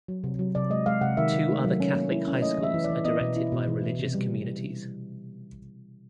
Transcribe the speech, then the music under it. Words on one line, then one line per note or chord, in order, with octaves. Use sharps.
Two other Catholic high schools are directed by religious communities.
F#3
C3
F#3
C3 D5
G#3 D#5
G#3 F5
C3 F#5
D#3 E5
D#3
A3
F#3
C#4
A#3
E4
C#4
A3 D#5
E3 E5
E3
D5
E3
B3 D#5
B2
E4
B2
E3
E3
C3
G3